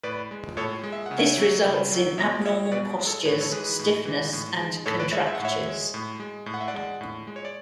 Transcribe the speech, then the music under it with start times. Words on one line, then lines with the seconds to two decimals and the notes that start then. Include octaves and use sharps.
This results in abnormal postures, stiffness and contractures.
0.03 A2 B4 D5
0.31 G#3
0.57 A2 A4 C#5
0.83 G#3
0.92 E5
1.06 C#3 F#5
1.18 C#5 E5
1.37 F#3
1.65 C#3
1.91 F#3
2.17 B2 C#5 E5
2.45 G#3 C#5 E5
2.65 C#5
2.71 B2 B4 D5
2.99 G#3
3.07 A4 C#5
3.25 A2 C#5
3.33 B4
3.41 A4 C#5
3.52 E3 G#3 G#4 B4
3.79 A2
4.05 E3 G#3
4.33 A2
4.59 G#3
4.86 A2 A4 C#5
4.99 B4 D5
5.12 G#3 C#5 E5
5.26 E5
5.35 F#5
5.39 A2
5.45 C#5 E5
5.66 G#3
5.94 A2
6.20 G#3
6.46 A2
6.54 F#5
6.61 E5
6.68 D5 F#5
6.74 G#3
7.01 A2
7.27 G#3
7.36 C#5
7.45 D5